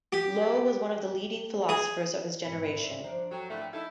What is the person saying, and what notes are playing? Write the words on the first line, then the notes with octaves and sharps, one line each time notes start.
Lowe was one of the leading philosophers of his generation.
G4
G#4
G#2 B2 C4 G5 B5 C#7
D2 A2 C5 D5 E5
F3 D4 C5 A#5 D7
F#3 A4 G5
A2 D3 A3 A#3 D4 F4
D#4 E4 A4 G6